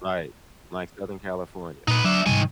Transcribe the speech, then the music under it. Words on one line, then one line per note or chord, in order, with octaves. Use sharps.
Right, like Southern California.
A#2 D#4 B4
F#3 D4 E5
G#2 C3 D#3 G3 G#5